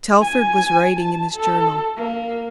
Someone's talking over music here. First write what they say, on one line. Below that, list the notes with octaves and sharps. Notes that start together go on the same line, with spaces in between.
Telford was writing in his journal.
G#5
A5
A4
A#3